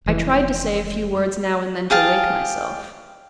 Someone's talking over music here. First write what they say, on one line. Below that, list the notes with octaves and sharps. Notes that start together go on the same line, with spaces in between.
I tried to say a few words now and then to wake myself.
F1 E3
G4 G#4 F5 A5